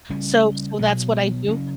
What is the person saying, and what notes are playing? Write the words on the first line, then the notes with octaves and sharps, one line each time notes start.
so so that's what I do,
C#3 G3 C#4
B2 F#3 B3
C#3 F#3 C#4